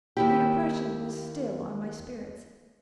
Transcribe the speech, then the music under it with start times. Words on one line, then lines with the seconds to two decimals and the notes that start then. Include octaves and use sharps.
The oppression was still on my spirits.
0.17 D#2 E4 G4